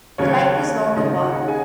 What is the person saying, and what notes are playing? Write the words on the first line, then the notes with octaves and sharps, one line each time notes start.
The lake is long and wide.
D#2 C#3 F#3 C#4 C#5
D#2 C#3 F#3 D#4 D#5
F#4 F#5
G#4 G#5